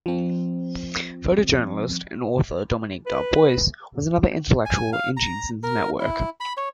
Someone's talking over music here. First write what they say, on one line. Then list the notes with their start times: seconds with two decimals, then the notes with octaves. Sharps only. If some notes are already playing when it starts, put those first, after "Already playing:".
Photojournalist and author Dominique Darbois was another intellectual in Jeanson's network.
0.06 F3 C4
3.06 B4
4.66 G#5
4.93 F5
5.17 A#5
5.63 A#4
6.00 E4
6.40 B5
6.57 C#5